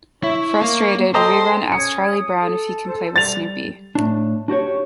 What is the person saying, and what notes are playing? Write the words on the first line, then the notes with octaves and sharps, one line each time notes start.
Frustrated, Rerun asks Charlie Brown if he can play with Snoopy.
E4 C#5
A#3
A4 C5 D#5 G5 A#5 C6
C#4 D#6 G#6 C#7
A4
C5
G3 A6 F7
A2 D4
D4 F#4 G4 C#5